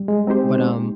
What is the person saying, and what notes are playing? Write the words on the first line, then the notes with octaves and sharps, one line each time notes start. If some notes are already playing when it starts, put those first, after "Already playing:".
but, um
Already playing: G3
G#3
C4 D#4 G4 C5